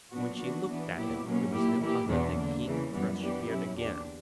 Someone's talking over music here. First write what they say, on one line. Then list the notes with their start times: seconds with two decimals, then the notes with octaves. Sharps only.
When she looked at him, it was no other than King Thrushbeard again.
0.12 A#2 F#3 B3 D4 F#4
0.39 E3 B3 D4 F#4
0.68 E3 B3 D4
0.96 A#2 F#3 B3 E4 G4
1.24 B2 F#3 A#3 C#4
1.52 A#2 A#3 E4 G4
1.80 E3 A#3 E4 G4
2.08 E2 B2 F#3 B3 D4
2.36 D3 A#3 D4
2.64 C#3 E3 A#3
2.92 F#2 E3 G3 B3
3.20 E3 B3 D4 G4
3.47 B2 F#3 C#4 E4
3.76 E2 D3 A#3 D4 G4